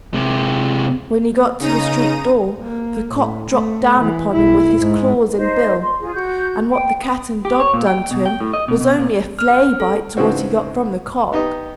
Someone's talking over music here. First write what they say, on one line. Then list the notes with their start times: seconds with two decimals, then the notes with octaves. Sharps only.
When he got to the street door, the cock dropped down upon him with his claws and bill, and what the cat and dog done to him was only a flay-bite to what he got from the cock.
0.14 C3 G#3
1.60 C#3 D#4 A#5 D#7
2.59 A#3
3.13 A2
3.51 A3
3.98 E3
4.33 B1 E4
4.80 G#2
5.36 D#4 C5 D#5
5.81 C6
6.00 F4 G#4
6.14 F#4 G6
6.71 G5
7.01 D#6
7.45 G4
7.60 C#5
7.74 A#2
7.87 G5
8.11 B2
8.26 G5
8.41 A2
8.53 D#5
8.68 B2
8.81 B2
8.98 A#2
9.39 F6
9.80 A4
10.17 G#2 C#3 E3 C4 F#4
11.33 B3 D#4 G4 D#5